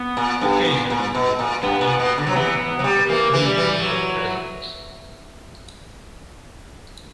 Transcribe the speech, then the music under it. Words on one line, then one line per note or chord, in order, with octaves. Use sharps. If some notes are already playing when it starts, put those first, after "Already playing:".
Occasionally the white gleam of broken water revealed her presence.
Already playing: B3
A#2
G2
A#2
A#2
B2
A#2
G2 B3
A#2
B2
D3
F#3
E3 B3
F#3
G3
E3 A#3
E3
G3
E3
F#3